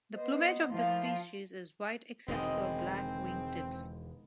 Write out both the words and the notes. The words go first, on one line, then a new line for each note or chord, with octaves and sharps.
The plumage of this species is white except for black wing tips.
B3 C5 D#5
F3 A3 A#3 E4 F4
E1 D3 D#3 G#3 B3 C4